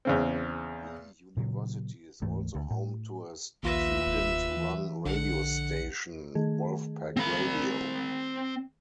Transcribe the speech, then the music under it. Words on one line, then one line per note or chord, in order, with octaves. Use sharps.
The university is also home to a student-run radio station, Wolf Pack Radio.
E2 C#3 C4
A#2 C#3 F#3
D1 G#2 E3 A3
D2
A2
A#1 D#2 F4 B4 E5 A#6
F1
E3
A#1 D3 F#5
D#3 A3 G#4
C4 B5